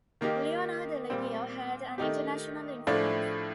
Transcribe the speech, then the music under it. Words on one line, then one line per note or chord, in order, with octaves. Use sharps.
Leonard Liggio had an international influence.
D#3 A#3 D#4 G4
A#2 G3 C4
D#3 A3 D#4 G4
A2 F3 A3 D4